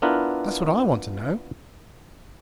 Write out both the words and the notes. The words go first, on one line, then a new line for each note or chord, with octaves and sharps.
That's what I want to know.
B3 D4 E4 F4 A#4 B4